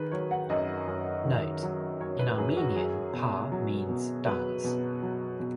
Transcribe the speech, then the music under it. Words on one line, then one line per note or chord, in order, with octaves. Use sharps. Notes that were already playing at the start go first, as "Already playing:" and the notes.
Note: in Armenian "par" means "dance".
Already playing: D#3 G#4 B4
F#3 C#5
F#5
F#2 D#5
F#2
D#3
F#3
F#2 C#5
B4
F#2 G#4
F#4
F#3 G#4
B2
F#3
B2
F#3 B4
B2
F#3
B2